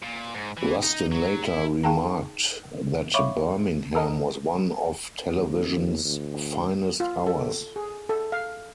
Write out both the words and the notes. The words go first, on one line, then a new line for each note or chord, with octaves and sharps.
Rustin later remarked that Birmingham was one of television's finest hours.
A#2
G#2
E3
D#4
F#3
E4
D#4 G#4 F5 G5 A5 A#5
C#5 E5 F5 B5 C#6 D6
A4 A#4 D#5
D#2
D2
F4
A4
G#4
A4
F5